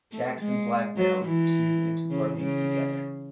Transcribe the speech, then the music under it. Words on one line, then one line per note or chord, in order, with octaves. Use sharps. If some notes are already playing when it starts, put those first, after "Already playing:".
Jackson blackmails the two into working together.
A3
G#3
F#3
E3
C#3
C#3